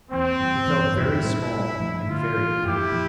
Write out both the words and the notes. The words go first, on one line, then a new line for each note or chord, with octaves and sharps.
He felt very small and very mean.
E2 E3 A#3 C4
G2 E3 G3
G2 E3 A#3 D4
E2 C3 G3 E4
A2 G3 C4
A#2 A3 D4
G2 F3 A3 D4
D3 A3 D4 F4
A2 E3 A#3
F2 E3 A3 E4 G4
A#2 F3 A#3